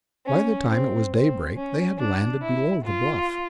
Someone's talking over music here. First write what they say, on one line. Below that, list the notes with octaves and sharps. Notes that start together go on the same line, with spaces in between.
By the time it was daybreak they had landed below the bluff.
C#4
C4
C4
C#4
D4
E4
F4